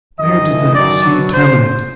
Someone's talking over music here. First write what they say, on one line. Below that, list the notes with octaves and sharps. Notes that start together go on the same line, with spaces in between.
Where did that sea terminate?
F#2 D#3 F#3 D#5
A2 E3
F#2 D#3 F#3 D5
B2 F#3
F#2 D3 C5